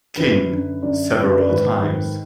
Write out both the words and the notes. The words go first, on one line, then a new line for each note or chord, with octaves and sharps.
King several times.
F#2 D3 B4
F#2 D3
F#2 D3 D5
F#2 D3 B4
B4
D5
G#2 D#3 B4
G#2 D#3